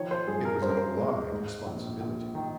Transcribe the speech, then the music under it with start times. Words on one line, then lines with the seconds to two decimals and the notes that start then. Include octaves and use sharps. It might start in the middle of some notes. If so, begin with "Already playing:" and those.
It was an alarming responsibility.
Already playing: D#3 F3 C#5
0.11 C5
0.28 G2 G#4
0.45 A#4
0.62 G2 C5
0.70 A#4
0.78 C5
0.97 G#3
1.32 G#2
1.66 A#1
2.00 A#1
2.35 D#3